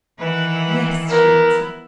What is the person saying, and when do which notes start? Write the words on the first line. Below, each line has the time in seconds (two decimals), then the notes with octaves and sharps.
"Yes," she answered.
0.19 D#3 E3 B4 F#5
1.09 B3 E4 A#4